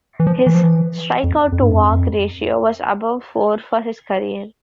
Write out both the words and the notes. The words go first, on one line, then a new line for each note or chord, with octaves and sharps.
His strikeout-to-walk ratio was above four for his career.
E3
F3
E3
F3
E3
F2
F2
G2
F2